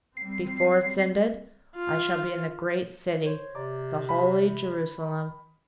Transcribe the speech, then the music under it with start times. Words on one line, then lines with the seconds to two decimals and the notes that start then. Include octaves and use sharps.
Before it's ended I shall be in the Great City--the Holy Jerusalem.'
0.17 G3 C4 C7
1.76 F4
3.24 C5 C#5 C6
3.55 C3 D5 A#5 D6
4.09 B5 B6